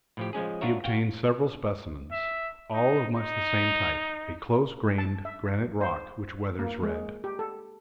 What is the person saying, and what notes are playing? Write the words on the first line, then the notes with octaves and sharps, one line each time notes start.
He obtained several specimens, all of much the same type, a close-grained granite rock which weathers red.
A2 F3 G4
F3 G#3 C#4 G#4
D4 F4 F#4 A#4 C#5 E5
F#4 F5 G5
E5
D#4
D#4
A5
E5
C5
A#3
G#3
G4
A4